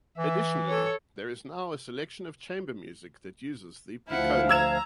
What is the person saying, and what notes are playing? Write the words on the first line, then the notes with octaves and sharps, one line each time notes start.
Additionally, there is now a selection of chamber music that uses the piccolo.
E3 E5
A4 C#5
D2 F3 E4 F5 F#5
A#5 E6 G#6 E7